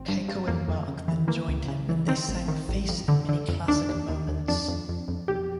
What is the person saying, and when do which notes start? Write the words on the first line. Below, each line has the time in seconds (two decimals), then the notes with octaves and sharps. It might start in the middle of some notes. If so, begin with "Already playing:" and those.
Keiko and Marc then joined him and they sang "Face" and "Many Classic Moments".
Already playing: G#1 C4
0.08 G2
0.28 G2
0.48 F2 A#3
0.68 F2
0.88 C#3
1.08 E3
1.28 E3 A#3
1.48 C#2
1.68 C#3
1.89 E3
2.08 D#3 C4
2.29 A1
2.48 D#3
2.69 A1
2.88 F2
3.08 D3
3.29 D3
3.49 F2
3.68 D#2 D4
3.89 D#2
4.09 D#2
4.28 D#2
4.48 F2 D4
4.68 F2
4.89 F2
5.08 F2
5.28 B1 G4